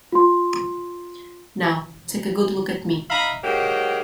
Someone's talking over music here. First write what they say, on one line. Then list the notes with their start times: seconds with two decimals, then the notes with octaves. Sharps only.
Now, take a good look at me!
0.12 F4 C6
3.10 D#4 E5 F5 A#5 B5
3.44 G#2 F#3 A#3 G4 D#5 G5